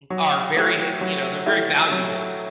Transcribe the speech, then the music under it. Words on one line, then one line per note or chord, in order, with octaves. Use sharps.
mm are very he you know, they're very valuable.
F#3
A3 E4 G4
F#3
A3 E4 G4
F#3